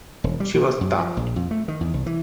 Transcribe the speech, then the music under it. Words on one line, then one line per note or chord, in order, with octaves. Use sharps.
She was tough.
E1
G3
B2
F#2
F3
A#1
F2
A3
D#3
E2
C2
E3